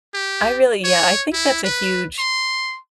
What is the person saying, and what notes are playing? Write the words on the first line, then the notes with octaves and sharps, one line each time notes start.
I really yeah, I think that's a huge,
G4
C#5
E4
B4
C6